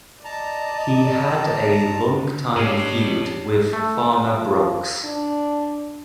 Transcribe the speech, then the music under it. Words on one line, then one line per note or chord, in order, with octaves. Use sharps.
He had a longtime feud with Farmer Brooks.
D5 D#5 A5 A#5
G#2 B2 D4 G4 C#5 C7
A3
F3
D4